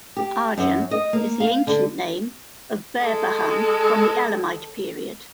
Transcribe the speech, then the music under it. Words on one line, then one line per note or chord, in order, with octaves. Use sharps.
Arjan is the ancient name of Behbahan from the Elamite period.
G4
F#2
D#5
A#3
F5
D3
G#3 A4